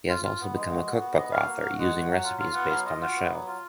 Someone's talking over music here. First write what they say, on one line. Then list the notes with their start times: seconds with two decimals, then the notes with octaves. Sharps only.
He has also become a cookbook author, using recipes based on the show.
0.09 F4
0.24 F4
0.40 B3
0.54 G#3
0.70 F#4
0.86 F#4
1.00 B3
1.15 B3 D#5
1.32 F#4 F5
1.47 A#3
1.62 F#4
1.78 G#3 F#5
1.93 F#4
2.09 F#3
2.24 F4
2.39 F4 F5
2.54 B3 F#5
2.70 F#3 F5
2.85 F4 D#5
3.00 F4 F#4
3.16 B3
3.31 F#3
3.47 F4